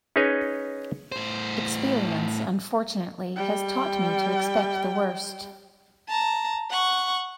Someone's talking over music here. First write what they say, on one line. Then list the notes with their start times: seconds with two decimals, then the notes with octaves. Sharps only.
Experience, unfortunately, has taught me to expect the worst.
0.16 C#4 D#4 G#4 B4 C#5 D#5
1.12 A2 C5
3.36 G3 G5
6.09 A5 A#5
6.71 F#5 C#6